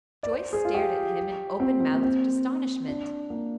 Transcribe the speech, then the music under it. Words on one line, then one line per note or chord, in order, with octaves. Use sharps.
Joyce stared at him in open-mouthed astonishment.
D5
C5
G#4
F4
G4
C4
C4
A#3
C4
D4
A#3